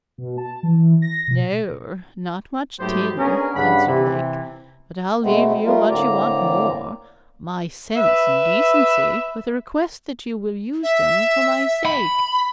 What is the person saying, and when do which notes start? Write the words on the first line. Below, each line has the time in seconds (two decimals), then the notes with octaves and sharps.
'No, not much tin,' answered Lake; 'but I'll leave you what you want more, my sense and decency, with a request that you will use them for my sake.'
0.18 B2
0.37 A5
0.63 E3
1.02 A#6
1.28 B2
2.80 G#2 F#3 A3 B3 G4 C5
3.19 B3 C#4 D4 G#4 A#4
3.56 G2 C#3 F#5 B5
3.88 C3 E3
5.23 B2 G#3 A3 B3 C4
5.65 G3 A3 F4 A#4
5.90 A2 D3 A#3 C4 D5 A#5
7.96 B4 E5
10.83 E5
11.85 B5